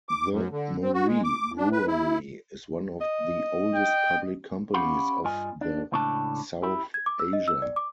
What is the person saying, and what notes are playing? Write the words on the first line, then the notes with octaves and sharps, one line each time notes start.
The Murree Brewery is one of the oldest public companies of the South Asia.
D6
F#2
D3
C4
F#4
G#3
D6
D4
B4
E4
D#5
G5
C#4 E4 G4 F5 F#5 B5
G2 F4 D#5 G#5
D4
C#2 A2 C#3 A3 D4 A5
E4 G4
G#6
D6
E6
D#5
E6
D5
D6